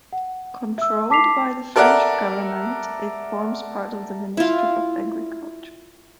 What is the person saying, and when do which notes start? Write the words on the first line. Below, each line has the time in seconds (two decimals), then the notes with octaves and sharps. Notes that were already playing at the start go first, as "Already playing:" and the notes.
Controlled by the French government, it forms part of the Ministry of Agriculture.
0.13 F#5
0.78 E5 E6
1.10 A5 D6 B6 C7 F7
1.76 A4 A#4 D5 E5 F#5
4.37 E4 F4